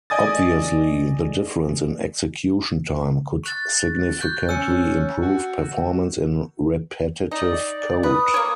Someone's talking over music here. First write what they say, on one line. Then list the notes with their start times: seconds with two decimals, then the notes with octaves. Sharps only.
Obviously, the difference in execution time could significantly improve performance in repetitive code.
0.10 D5 D#5 G#5 D#6 A6
3.44 C#6 F#6 A6
4.21 C#6 F#6 G6
4.49 C#4 E6 C#7
5.22 F#4
7.31 D#4 D5
8.03 B4 D#6
8.34 A#3 C#5